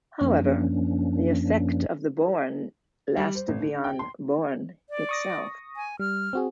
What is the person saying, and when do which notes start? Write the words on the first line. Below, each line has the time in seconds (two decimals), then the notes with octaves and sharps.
However, the effect of "Boerne" lasted beyond "Boerne" itself.
0.21 F#2 F3 A#3 C#4 D4
3.17 G3
3.35 C5
3.48 A1
3.60 D3
3.84 G5
3.99 C6
4.90 D5
5.09 C#6 D#6 A#6
5.76 G#5
5.99 G3 F6
6.33 C4 F#4 G#4